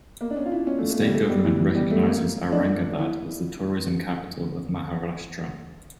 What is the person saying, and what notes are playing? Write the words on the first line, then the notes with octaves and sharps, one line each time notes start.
The state government recognises Aurangabad as the "Tourism Capital of Maharashtra".
A#3
D4
C#4
F4
E4
C#4
A3
A3
G3
A3
G3
E3
E3
G3
A3
A#3
D4
E4